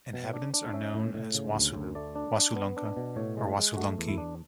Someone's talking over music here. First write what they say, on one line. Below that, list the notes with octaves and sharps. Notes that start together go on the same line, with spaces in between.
Inhabitants are known as Wassulu, Wassulunka or Wassulunke.
B2
D4
D4
C#4 E5
A2
A2
C#3
D2
D2
A3 D5
D4
D4
B3
D4
B2
A2 C#5
G#3
G#3
A3 F#4
E2
E4
D4